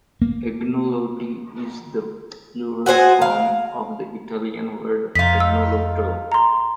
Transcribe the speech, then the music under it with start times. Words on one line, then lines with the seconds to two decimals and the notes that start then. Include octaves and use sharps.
"Agnolotti" is the plural form of the Italian word "agnolotto".
0.22 A#3
2.86 F#4 G#4 C5 G#5
3.22 F5
5.15 F2 D#4 F4 B6
5.40 E6
6.32 A#5 C6